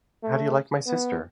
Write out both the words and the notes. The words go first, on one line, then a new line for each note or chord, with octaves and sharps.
How Do You Like My Sister?
A3
B3